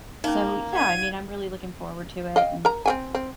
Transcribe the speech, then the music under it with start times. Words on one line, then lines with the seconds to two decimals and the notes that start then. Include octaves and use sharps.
so, yeah, I mean, I'm really looking forward to it and,
0.24 A#3 C#4 D#4
0.73 D5 F5 F#5 G#6 D#7
2.36 D#5 F5 G5
2.65 A#4 A#5
2.86 C4 G5 G#5
3.15 C4